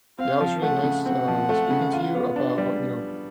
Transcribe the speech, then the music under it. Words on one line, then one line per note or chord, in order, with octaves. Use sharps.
yeah, it was really nice, uh, speaking to you about, you know,
C4 F5
F3
A3 F#5
C#3
C4 F#5
F3
A3
C#3
F4
B3
D4
G3